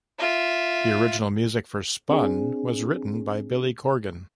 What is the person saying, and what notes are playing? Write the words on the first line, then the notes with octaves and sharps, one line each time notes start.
The original music for "Spun" was written by Billy Corgan.
F4 E5
C4 D4 G#4